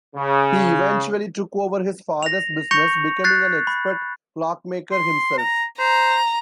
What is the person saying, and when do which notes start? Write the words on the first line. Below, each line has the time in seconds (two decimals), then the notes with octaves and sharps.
He eventually took over his father's business, becoming an expert clockmaker himself.
0.14 C#3
2.23 A#6 F7
2.71 C#6 G6 A#6 C#7 F7
3.24 F#6 G6 A6 C7
3.67 B5
4.92 C6
5.38 A#5
5.79 C5 A#5